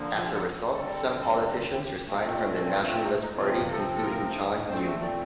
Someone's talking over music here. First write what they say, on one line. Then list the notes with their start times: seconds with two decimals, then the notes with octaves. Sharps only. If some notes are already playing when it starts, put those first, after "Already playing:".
As a result, some politicians resigned from the Nationalist Party, including John Hume.
Already playing: D3 F3 A#3
0.16 F4
0.24 G4
0.33 A4
0.73 D3 G3 C4 A4
1.72 G4
2.05 A#2 A3 C4
2.71 F4
3.04 D#4
3.21 D#4
3.37 C3 F3 C4 F4
3.70 A4
3.95 A4
4.02 A#4
4.68 A#2 A3 C4 C5
5.02 D5